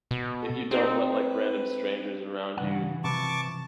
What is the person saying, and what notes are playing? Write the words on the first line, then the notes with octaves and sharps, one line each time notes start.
if you don't let, like, random strangers around you,
B2
A4
C4 D#4 B4
B4
G2 C#3 E3 F#5
C3 E3 F3 B4 A5 C#6 D6